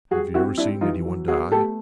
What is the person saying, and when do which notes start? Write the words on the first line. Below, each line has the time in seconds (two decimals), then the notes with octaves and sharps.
"Have you never seen any one die?"
0.11 G3 F#4 G#4
0.34 C4 E4 F#4
0.58 G3 D4 E4
0.81 E3 D#4 F4
1.05 F#3
1.28 B3 F#4 G#4
1.52 A3 G4 A4